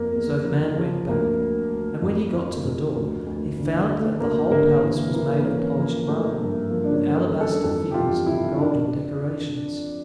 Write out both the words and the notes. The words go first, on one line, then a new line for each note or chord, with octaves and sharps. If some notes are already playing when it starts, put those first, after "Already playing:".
So the man went back, and when he got to the door, he found that the whole palace was made of polished marble, with alabaster figures and golden decorations.
Already playing: F2 A#3
E2
F3
F3
D2 A#3
D2
D2
F2
F3
F2
D2
D2
D3
D2 A3
D2 A#3
D3 A#3
E3 A#3
E3 A#3
A#3
E3 C#4
F3 A#3
F3 A3
G2 A#3
F3 A#3
D4
C#4
G2
A4
G2
A4
F2 A4
G4
E3 F4
F2 E4
D4